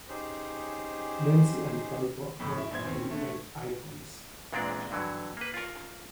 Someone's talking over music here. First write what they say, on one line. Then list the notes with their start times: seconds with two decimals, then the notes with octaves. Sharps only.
Dempsey and Firpo both became icons.
0.09 C#4 D#4 G4 G#4 C5
2.40 F2 A2
2.58 E4
2.71 A#1 C5 G#6
2.85 D#2 C4 C#4
3.10 D3 A3
4.53 E2 A#2 G#3 C4 D4 D5
4.91 G2 D3 E3 F#3
5.37 A#3 B4
5.54 F4 A#4